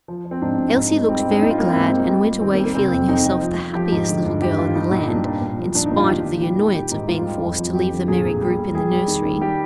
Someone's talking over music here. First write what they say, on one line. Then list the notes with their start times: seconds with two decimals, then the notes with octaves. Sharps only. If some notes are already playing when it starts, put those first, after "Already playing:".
Elsie looked very glad, and went away feeling herself the happiest little girl in the land, in spite of the annoyance of being forced to leave the merry group in the nursery.
0.08 F3
0.25 F3
0.31 C4
0.42 G#2 D4
0.58 G#2
0.75 G#2
0.92 G#2
1.08 G3 C4
1.19 C4
1.25 G#2
1.31 D4
1.42 G3 D#4
1.50 F4
1.58 G3 A#3
1.67 C4
1.75 G#2
1.92 G3
2.08 G3
2.25 G3
2.41 D#3 C4
2.53 A#3
2.58 G3
2.64 A#3
2.75 C3 C4
2.92 F2
3.08 F2 D#4
3.25 F2
3.42 F3
3.59 F3
3.75 F3 G4
3.92 G#2
4.08 D3
4.25 G2
4.42 G2 G4
4.58 G2 F4
4.75 G3 D#4
4.91 A#2
5.08 G3 D4
5.25 A#2
5.42 A#2
5.58 F3
5.75 A#2 D4
5.86 D#4
5.91 A#2
5.97 F4
6.08 D#3 G4
6.25 D#3
6.41 G3
6.58 D#3
6.75 D#3 G4
6.91 G#2
7.08 G#2 F4
7.24 G3
7.41 F2
7.58 F3
7.75 F2 G4
7.92 D3
8.08 A#2 G#4
8.25 A#2
8.41 G3
8.58 G3
8.75 G3 G#4
8.91 G3
9.08 D#3
9.25 D#3
9.41 G3 G4